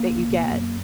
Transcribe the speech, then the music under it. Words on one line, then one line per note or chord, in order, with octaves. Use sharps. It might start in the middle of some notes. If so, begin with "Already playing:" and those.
that you get.
Already playing: A#3
C#2
B2
F#2